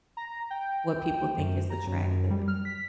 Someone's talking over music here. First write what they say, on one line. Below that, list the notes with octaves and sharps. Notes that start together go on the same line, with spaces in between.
what people think is attractive.
A#5
G5
F#2
A#5
F#2
G3
F6
B6